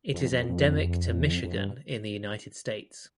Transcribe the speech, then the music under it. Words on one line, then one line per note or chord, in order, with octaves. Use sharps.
It is endemic to Michigan in the United States.
F2
F2
F2
E2
F2
F2
G2